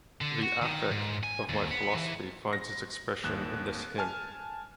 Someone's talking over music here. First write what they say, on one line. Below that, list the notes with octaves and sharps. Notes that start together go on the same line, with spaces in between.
The affect of my philosophy finds its expression in this hymn.
D3
F#4
D#3
G#2
G#5
D#2
B3
E3
A#6
G#1 D#2 F#6 E7
G#5 A5 F6